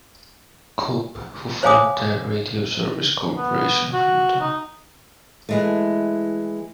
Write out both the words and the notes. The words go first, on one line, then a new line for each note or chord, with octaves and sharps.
Cope, who formed the Radio Service Corporation of Utah.
C5 C#5 F5 G#5 D6 D#6
B3
F#4
D#4
E3 G#3 A3